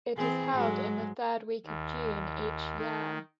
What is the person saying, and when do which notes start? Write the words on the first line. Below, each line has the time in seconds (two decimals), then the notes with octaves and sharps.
It is held in the third week of June each year.
0.17 E3 C4 G#4
0.54 G#2 F#3 G#3
1.66 D#2
2.78 D#3